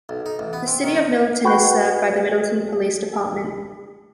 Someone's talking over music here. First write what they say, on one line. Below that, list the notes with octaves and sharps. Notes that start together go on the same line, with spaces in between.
The city of Middleton is served by the Middleton Police Department.
B1
D#4
A1
B3
C4
D#3
F#4 B4 F#5 G5